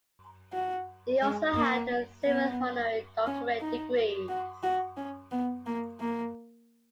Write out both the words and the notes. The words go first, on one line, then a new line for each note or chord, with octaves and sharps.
He also had several honorary doctorate degrees.
F#4
G#3
A#3
B3
C#4
D#4
F#4
F#4
C#4
B3
A#3
A#3